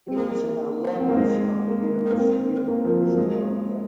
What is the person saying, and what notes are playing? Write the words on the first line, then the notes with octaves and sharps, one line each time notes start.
He is an alumnus of the University of British Columbia.
C4
A#3
C4
A#3
G#3
A#3
A#3
C4
A#3
F3
F#3
A#3
G#3